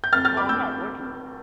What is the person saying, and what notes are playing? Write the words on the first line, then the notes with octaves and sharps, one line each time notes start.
Well, I'm not working
G6
F2 F6 A6
F6 A6
F2 B5 D6
E6 G6